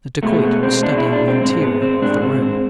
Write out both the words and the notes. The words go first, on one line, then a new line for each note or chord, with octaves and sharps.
The dacoit was studying the interior of the room.
B2 G#3 A3
B3
C4
B2 G#3 D4
E4
D4
C4
G#2 G#3 C4
B3
C4
G#2 G#3 D4
C4
C4